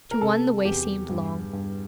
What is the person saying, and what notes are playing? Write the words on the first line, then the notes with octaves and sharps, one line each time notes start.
To one the way seemed long.
A#4
C3 A4
E2 G4
G2
G2